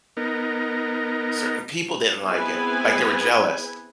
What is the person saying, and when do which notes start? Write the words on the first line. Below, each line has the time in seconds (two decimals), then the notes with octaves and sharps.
Certain people didn't like it, like, they were jealous?
0.17 B3 D#4 A#4
2.27 B3 C4 E4 G#4 B4 G#5